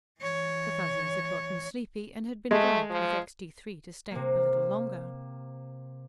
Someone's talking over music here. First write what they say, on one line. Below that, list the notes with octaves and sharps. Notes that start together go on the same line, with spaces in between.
The Fuzzies had gotten sleepy, and had been bribed with Extee Three to stay up a little longer.
E3 C#5
G#3 A3
F3
C3 A#3